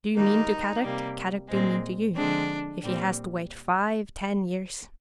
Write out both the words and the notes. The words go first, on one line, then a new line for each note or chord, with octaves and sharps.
Do mean to Kadok, Kadok do mean to you, if he has to wait five, ten years.
D#3 G3 A#3 D#4
C3 G3 A#3
A#2 G#3 C4
D3 F3 G#3 C4 D4
A#2 G3 C4